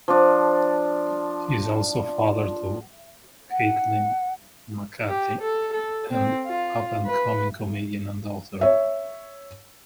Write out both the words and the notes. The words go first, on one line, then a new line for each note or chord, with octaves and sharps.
He is also father to Caitlin Macatee, an up-and-coming comedian and author.
F3 D4
F#5
G4
A4
A4
C4
F4
B4
C#5 E5